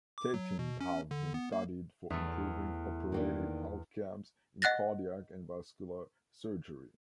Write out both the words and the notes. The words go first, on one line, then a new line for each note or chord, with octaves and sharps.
Statins have been studied for improving operative outcomes in cardiac and vascular surgery.
D6
F#3
B2
C#4
D3
B3
A#3
E2 A3 E4
D#3 A#3 D4
D#5 F#5 F#6 A6 A#6